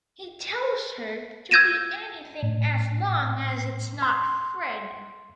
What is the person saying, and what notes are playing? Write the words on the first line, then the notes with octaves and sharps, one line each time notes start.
He tells her to be anything as long as it's not Fred.
E6 G6 G#6 A#6 D#7 E7
A2
C6